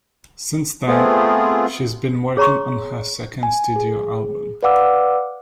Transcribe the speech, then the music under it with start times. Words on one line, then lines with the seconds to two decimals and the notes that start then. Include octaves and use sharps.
Since then, she's been working on her second studio album.
0.88 A3 B3 C4 F4 G#4
2.37 G#4 C#5 A#5 C6 C#6
3.43 G#5
3.76 G#4
4.63 B4 D5 F5 F#5 D6 E6